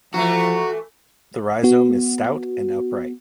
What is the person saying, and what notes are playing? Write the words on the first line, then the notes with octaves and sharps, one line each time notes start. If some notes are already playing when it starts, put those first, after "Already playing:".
The rhizome is stout and upright.
E3 F3 A3 F#4 A#5
B3 F#4